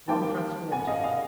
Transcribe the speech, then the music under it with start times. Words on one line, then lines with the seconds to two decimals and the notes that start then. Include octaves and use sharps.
Rum transformed him.
0.08 D#3 G3 A#3 G5 A5
0.71 F#5 G#5
0.87 D#5 F5
1.04 D#5 F5